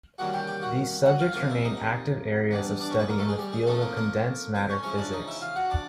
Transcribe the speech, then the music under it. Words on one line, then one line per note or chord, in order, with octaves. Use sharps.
These subjects remain active areas of study in the field of condensed matter physics.
D#3 G3 A#3 C#4 F#4 F#5
G4 G5
G4 G5
F#4 F#5
F#4 F#5
F4 F5
C3 F3 A#3 F4 F5
E4 E5
D#4 D#5
E3 G3 B3 D4
D4 D5
C#4 C#5
B3 B4
A#3 A#4
A3 A4
G#3 G#4
G3 G4
G#3 G#4
F3 A3 C4 D#4 A4
A#3 A#4
A#3 A#4
C4 C5
C#4 C#5
F3 G#3 C#4 E4 C#5
D4 D5
D#4 D#5
E4 E5
F4 F5
F#4 F#5
D4 D5